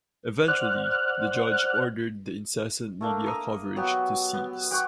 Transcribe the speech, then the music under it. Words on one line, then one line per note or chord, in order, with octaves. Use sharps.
Eventually, the judge ordered the incessant media coverage to cease.
C5 D5 F#5 F6 F#6
A3 A#3 D4
E5 A#5 D#6
F#3 B3 G4
B3
G4 F#5 C#6